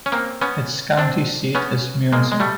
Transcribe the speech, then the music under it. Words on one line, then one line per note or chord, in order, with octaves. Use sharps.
Its county seat is Munising.
C#4
A#3 C4
B3 C#4
C4 D4
B3 C#4
G#3 A#3
G#3
G3 A3